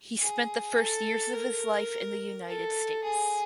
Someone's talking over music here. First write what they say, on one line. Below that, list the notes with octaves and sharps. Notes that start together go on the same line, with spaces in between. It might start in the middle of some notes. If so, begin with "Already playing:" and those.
He spent the first years of his life in the United States.
G#4
A4
A#4
A4
G#4